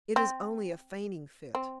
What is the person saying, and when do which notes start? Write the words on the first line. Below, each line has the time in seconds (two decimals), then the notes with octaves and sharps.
"It is only a fainting fit."
0.16 C4
1.55 C4